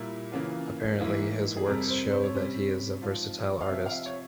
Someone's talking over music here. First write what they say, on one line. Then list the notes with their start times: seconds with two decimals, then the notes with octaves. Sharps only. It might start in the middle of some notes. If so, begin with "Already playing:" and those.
Apparently, his works show that he is a versatile artist.
Already playing: A#2 G3 A#3 E4
0.32 C#3 E3 A#3 F4
1.00 G#2 E3 A#3 E4
1.57 G#4
1.67 F2 C3 G3 A#4
1.90 C5
2.12 C5
2.23 C#5
2.35 C3 G3 C#4 C5
3.02 G#2 F3 C4 F4
3.61 F5
3.69 C3 F3 C4 E5
3.86 F5
3.92 E5
4.06 C#5